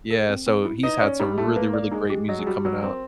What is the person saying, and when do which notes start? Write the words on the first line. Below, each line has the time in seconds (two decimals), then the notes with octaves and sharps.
Yeah, so he's had some really, really great music coming out.
0.10 A4
0.29 C4
0.47 C4
0.65 E4
0.83 D#4 B4
1.01 C#4 D5
1.20 G3 D#4
1.38 A3 G4
1.56 A#3 B4
1.73 D5
1.92 G#3 D#4
2.10 G4
2.28 F#3 D#5
2.39 G#3
2.47 G3 F#4
2.65 F#3 F#4
2.83 C4 A#4